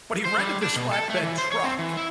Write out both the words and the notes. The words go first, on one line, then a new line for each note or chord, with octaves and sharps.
but he rented this flatbed truck
C5
G3
D4
B2
A4
A3
E3
C5
C#5
C4
E3
E4